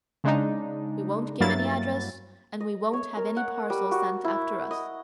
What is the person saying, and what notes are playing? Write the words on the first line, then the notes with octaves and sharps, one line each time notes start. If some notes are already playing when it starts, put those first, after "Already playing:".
We won't give any address, and we won't have any parcels sent after us.
C#3 G#3 D4 D#4
G2 F#3 A#3 E4 A6
D#5
C#5
A#4
F#5
G3
F#4
E4
D#5